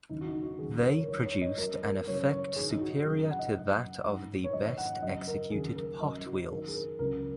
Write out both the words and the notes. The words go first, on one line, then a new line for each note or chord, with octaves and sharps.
They produced an effect superior to that of the best executed pot wheels.
D#2 C#3 F#3 D#4
F#4
D#4
F#4
D#2 C#3 F#3 G#4
A#4
C#5
A#4
D#2 D#3 F#3 C#5
C#5
D#5
F#2 F#3 A#4
A#4
F#2 C#3 F#3 C#5
C#5
G#2 D#3 F#3 G#4
D#4
F#4
F#2 C#3 F#3 G#4
F#5
D#5
F#5
F#2 C#3 F#3
G#2 F#3
C#5
G#2 D#3 F#3 D#5
F#5
F#2 C#3 F#3 D#5
A#4
D#2 C#3 F#3 G#4
A#4
F#2 C#3 F#3 D#5
F#4
G#4
F#2 D#3 F#3 A#4
G#4
A#4
C#2 C#3 F#3 A#4